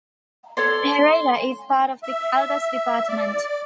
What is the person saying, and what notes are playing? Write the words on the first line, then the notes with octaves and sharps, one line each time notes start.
Pereira is part of the Caldas department.
A4 C#5 D5 C6
E5
D5